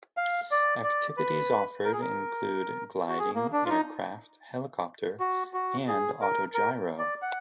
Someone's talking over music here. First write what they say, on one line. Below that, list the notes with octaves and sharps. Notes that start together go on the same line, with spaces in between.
Activities offered include gliding, aircraft, helicopter, and Autogyro.
F5
D5
D5
B4
A#4
G#4
A#4
F#4
G#4
A#3
D4
F4
D#4
F#4
F#4
G#4
A#4
A#4
D5
F#5